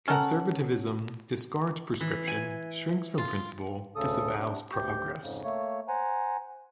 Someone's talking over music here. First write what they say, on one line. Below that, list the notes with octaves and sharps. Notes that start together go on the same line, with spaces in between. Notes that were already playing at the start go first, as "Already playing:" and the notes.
Conservatism discards prescription, shrinks from principle, disavows progress.
C#4 A4 A#4 F#5
E3
G#5
F4
D2 C#3 A4 D#6
C3 D4
D2 G4 G6
F2 G#2 C#3
A3 A#3 C#5
C5 F#5 G#5 A#5